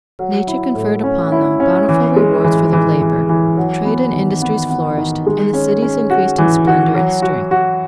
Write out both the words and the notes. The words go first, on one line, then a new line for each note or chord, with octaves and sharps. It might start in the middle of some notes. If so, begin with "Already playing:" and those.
Nature conferred upon them bountiful rewards for their labour; trade and industries flourished, and the cities increased in splendour and strength.
F#3
E4
A2
C#4
E4
C#4
E3
G#3
E3
E3
E3
E3
F#3
B3
D#3
B3
B3
D#3
G#3
C#4
C#4
F#4
E3
F#4
F#3
F#4
F#4